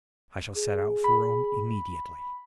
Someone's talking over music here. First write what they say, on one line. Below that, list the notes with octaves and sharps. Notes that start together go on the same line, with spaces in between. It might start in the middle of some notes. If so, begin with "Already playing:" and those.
I shall set out for Rome immediately.
G#4
B5